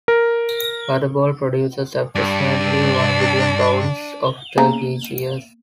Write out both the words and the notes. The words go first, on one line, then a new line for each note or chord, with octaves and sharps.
Butterball produces approximately one billion pounds of turkey each year.
A#4
G2 D4
C#3 A#3 B3 A#5